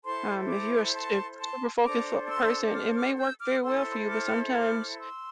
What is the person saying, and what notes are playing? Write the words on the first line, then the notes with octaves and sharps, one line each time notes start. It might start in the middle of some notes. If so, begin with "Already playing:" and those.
Um, if you are a st if you're a super focused fo person, it may work very well for you, but sometimes
E4 A4 C5 A5 C6
A#5 D6
A5 C6
A5 C6
D4 A4 C5 A#5 D6
C6 E6
D6 F6
D6 F6
E6 G6
D6 F6
F6
E4 A4 C5 C6 E6
D6 F6
D6 F6
C6 E6